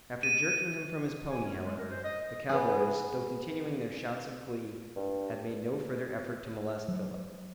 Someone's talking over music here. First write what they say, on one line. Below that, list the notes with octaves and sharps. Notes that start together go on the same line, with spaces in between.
After jerking him from his pony, however, the cowboys, though continuing their shouts of glee, had made no further effort to molest Philip.
D#7
G#5
C#4
G#3
A#4
C5
D#5
B3 G#4
G2
F#3